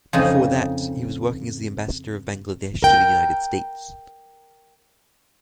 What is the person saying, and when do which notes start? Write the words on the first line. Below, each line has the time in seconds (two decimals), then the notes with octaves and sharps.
Before that he was working as the Ambassador of Bangladesh to the United States.
0.13 F2 C#3 D#4
2.82 A#4 G5